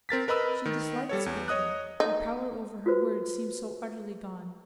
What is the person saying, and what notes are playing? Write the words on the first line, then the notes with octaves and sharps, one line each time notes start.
She disliked speaking, her power over her words seemed so utterly gone.
C4 A#4 A6 B6
A#4 B4 D#5 B5 E6
D#3
G3 A4 C#5
E2
C#5 D#5 D#6 F#6
D#4
F4 F#4 B4 C5